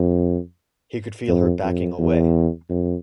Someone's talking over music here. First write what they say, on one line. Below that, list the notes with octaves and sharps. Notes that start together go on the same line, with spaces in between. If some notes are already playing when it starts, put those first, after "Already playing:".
He could feel her backing away.
Already playing: F2
F2
F2
E2
F2